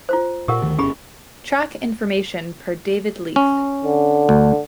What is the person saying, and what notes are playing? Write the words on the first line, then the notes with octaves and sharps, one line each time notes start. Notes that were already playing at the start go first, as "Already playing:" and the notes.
Track information per David Leaf.
F4 F#4 C5
A#2 G4 A#4 F#5
D2 D#3
G1 A#2 C#4 G4 G#4 B5
C#4
D3
D2